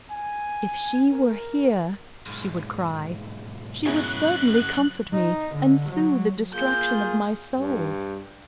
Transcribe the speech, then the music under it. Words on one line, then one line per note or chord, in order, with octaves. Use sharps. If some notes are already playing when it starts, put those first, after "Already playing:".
"If she were here," she would cry, "she would certainly comfort me, and sooth the distraction of my soul."
G#5
A#4
B1 G#2
F#2 C#3 B3 E4 G#4 F#6
D#4
D3
F#3
A#3 F4 G#4 G6
G2